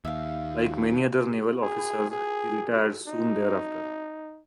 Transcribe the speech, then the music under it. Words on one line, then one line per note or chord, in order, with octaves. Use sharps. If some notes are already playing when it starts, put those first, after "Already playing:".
Like many other naval officers, he retired soon thereafter.
D#2 E5 F5
G#4
G#4
D#4